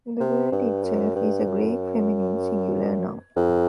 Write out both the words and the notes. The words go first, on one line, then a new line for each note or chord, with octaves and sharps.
The word itself is a Greek feminine singular noun.
C3
G2
F#2
G2
F#2
F2